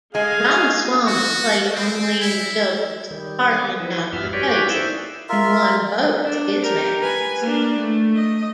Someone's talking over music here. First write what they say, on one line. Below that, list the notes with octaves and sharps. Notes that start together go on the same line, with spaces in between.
Ramaswami played only in the doubles partnering Doctor Fayzee and won both his matches.
G#3 G#4 D#5 F5 G#5
F#4
C4
E4
D#3 G3
G#5 D6
F3 E4 B4
G2 B3 F4 E5 B5 F6
F#4 G4 B4 C#5 D5 G5
D#4 E4 C5 D5 E5
F4 A#4 E5
D4
G4 A#4
B4 G#5
A#3 D4
A3
D#5